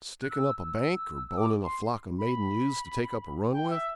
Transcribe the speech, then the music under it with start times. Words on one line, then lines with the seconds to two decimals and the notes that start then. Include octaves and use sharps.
Sticking up a bank, or boning a flock of maiden ewes to take up a run with?
0.22 F#6
0.30 E6
0.57 E6
1.28 E6
1.37 D6
1.64 C6
2.19 B5
3.52 G5
3.70 E5